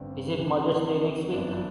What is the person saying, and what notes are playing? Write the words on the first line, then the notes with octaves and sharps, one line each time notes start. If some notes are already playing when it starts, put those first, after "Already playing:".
Is it Mother’s Day next week?
Already playing: A1 G2 D3 C4
D2 C3 E3
G1 F#2 E3 D4